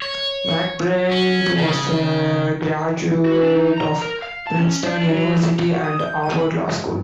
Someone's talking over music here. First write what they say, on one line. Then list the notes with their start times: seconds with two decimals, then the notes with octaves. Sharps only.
MacBride was a graduate of Princeton University and Harvard Law School.
0.02 C#5
1.11 C#4
1.57 C#3
3.25 F#4
3.42 D4
3.55 D#4
3.78 A#5
4.01 A#4
4.22 F5
4.47 A5
4.59 C#4
4.86 D4
5.09 F#3
5.33 E3
5.70 F#4
5.84 D#6
6.00 G6
6.23 D#7
6.39 B5
6.54 G#3
6.69 G#3
6.87 G2